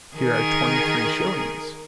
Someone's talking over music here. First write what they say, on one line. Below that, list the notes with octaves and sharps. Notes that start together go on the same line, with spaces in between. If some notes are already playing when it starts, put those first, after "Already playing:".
Here are twenty-three shillings.
D#3 G#4 A#4